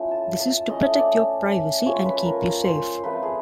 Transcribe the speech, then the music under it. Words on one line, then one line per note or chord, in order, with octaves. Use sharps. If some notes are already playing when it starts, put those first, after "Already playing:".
This is to protect your privacy and keep you safe.
Already playing: F3 A3 C#4 E4
A5
A5
A3 C#4 E4 D#5
D5
F3 G#3 C#4 C#5
B4
A#4
C5
F3 A3 C4 B4
G#4